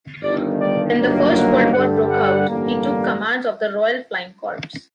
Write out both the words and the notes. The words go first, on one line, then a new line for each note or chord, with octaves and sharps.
When the First World War broke out, he took command of the Royal Flying Corps.
G1 G2 D#3 D5
D5
G1 G2 D#3 F#3 A#3
F#5
G2 D3 G3 F#5
F#5
A1 G2 D3 G3 A#3